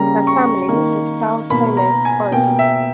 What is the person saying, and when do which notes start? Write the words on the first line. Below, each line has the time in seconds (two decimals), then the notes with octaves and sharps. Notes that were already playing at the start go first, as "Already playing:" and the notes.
Her family is of Sao Tome origin.
Already playing: C#3 G3 A#3 A#5
0.27 C#6
0.68 D#3 A#3
1.50 B2 A#3 B5
1.77 A#5
2.05 G#5
2.32 B2 A#3 G5
2.59 E5